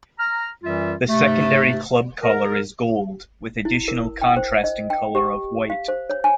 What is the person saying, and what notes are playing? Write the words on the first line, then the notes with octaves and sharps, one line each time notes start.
The secondary club colour is Gold, with additional contrasting colour of white.
A#5 F6
F#2 E3 G3 F4 E5
G#2 C3 A3
A#4
E4
A#4
G5
C5
D#5
G5
G4
F5
C5
C#5
G#5